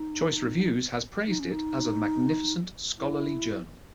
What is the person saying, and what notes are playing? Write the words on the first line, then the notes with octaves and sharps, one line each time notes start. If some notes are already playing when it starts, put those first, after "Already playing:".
Choice reviews has praised it as "a magnificent scholarly journal".
Already playing: D#4
D#4
C#4
D#4
E4